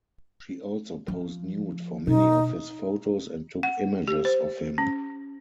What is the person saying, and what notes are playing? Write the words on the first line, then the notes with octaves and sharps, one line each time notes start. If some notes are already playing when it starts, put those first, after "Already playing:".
She also posed nude for many of his photos and took images of him.
F3
B2 D#4
F#5
G4
C5
C#4